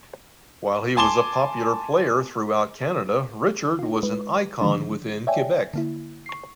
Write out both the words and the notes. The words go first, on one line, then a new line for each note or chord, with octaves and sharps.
While he was a popular player throughout Canada, Richard was an icon within Quebec.
G#5 A5 C6 D6 E7 G7
D#4 F4
G#3 B4
D3 D#3 F3 G#3 D4
C#5 D5 E5 G5 G#5
D3 A#3 E4
C#6 C7